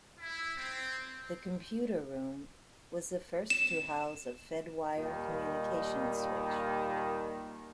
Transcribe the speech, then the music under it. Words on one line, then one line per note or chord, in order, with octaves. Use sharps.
The computer room was the first to house a Fedwire communications switch.
E4
C4
E7
D#2 A#2 D#3 G3